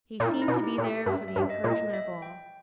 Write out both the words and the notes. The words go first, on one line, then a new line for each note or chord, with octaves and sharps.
He seemed to be there for the encouragement of all.
A#2
D#4
E4
B2
G4
A#2
E5
G2 E5
E5
G2
D#5
A#2
D#5
E5
G5